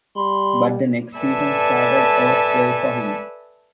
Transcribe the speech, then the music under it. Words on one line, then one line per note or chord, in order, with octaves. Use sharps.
But the next season started off well for him.
G3 B5 C6
A4 B4 D5 E5 G#5 A5